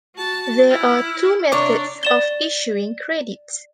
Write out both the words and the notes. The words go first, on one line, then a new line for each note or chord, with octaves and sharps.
There are two methods of issuing credit.
F#4 A5
E4 F6
C3 D4 C#5 D5
D5 E7 G7